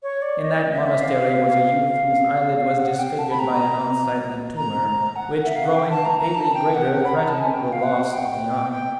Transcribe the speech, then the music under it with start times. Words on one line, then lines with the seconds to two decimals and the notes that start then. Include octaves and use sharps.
In that monastery was a youth whose eyelid was disfigured by an unsightly tumour, which growing daily greater, threatened the loss of the eye.
0.03 C#5
0.22 D5
0.42 D#5
0.72 E5
1.01 F5
2.78 F#5
2.98 G5
3.19 A5
3.31 B5
3.39 A#5
4.57 A#5
5.16 F#5
5.45 E5
5.56 F5
5.65 F#5
5.75 G5
5.91 A5
6.05 A#5
6.20 A#5
6.35 A5
6.54 G5
6.75 F#5
7.05 B5
7.17 A#5
7.29 A5
7.41 G#5
7.53 G5
7.73 F5
7.83 F#5
8.13 G5
8.72 G5